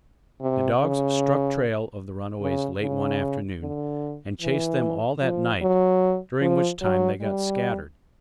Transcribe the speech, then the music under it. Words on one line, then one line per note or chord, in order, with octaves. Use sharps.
The dogs struck trail of the runaways late one afternoon, and chased them all that night, during which time they got scattered.
C3
C#3
C#3
C#3
D3
E3
F3
F#3
F3
F#3
G3